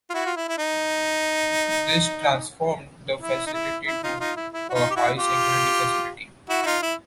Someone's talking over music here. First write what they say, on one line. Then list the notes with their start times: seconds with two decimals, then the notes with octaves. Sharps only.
This transformed the facility to a high-security facility.
0.10 F4
0.14 E4 F#4
0.26 F4
0.36 E4
0.49 E4
0.58 D#4
3.21 E4
3.46 D#4
3.54 E4
3.87 E4
4.03 D#4 F4
4.20 D#4 F4
4.36 E4
4.53 E4
4.69 F#4
4.74 D#4 F4
4.90 G4
4.96 E4 F#4
5.18 F4 G4
6.49 E4 F#4
6.62 E4
6.65 D#4 F4
6.82 E4